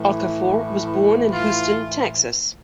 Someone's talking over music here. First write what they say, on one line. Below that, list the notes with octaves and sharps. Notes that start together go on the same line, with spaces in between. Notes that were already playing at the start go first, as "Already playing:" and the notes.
Okafor was born in Houston, Texas.
Already playing: A2 E3
F4